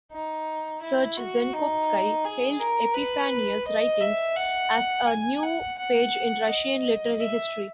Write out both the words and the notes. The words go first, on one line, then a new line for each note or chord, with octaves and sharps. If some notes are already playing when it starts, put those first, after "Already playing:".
Serge Zenkovsky hails Epiphanius' writings as "a new page in Russian literary history".
D#4
E4
F#4
D#4
G#4
A#4
B4
D#5
E5
F#5
G#5
F#5
F#5
D#5
E5